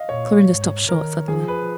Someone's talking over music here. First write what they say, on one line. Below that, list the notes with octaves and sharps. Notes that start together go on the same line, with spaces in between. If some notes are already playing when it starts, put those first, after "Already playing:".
Clorinda stopped short suddenly.
Already playing: D#5 F5
A#2 C#5
G#2
D#3 A#4
F3 G#4
B4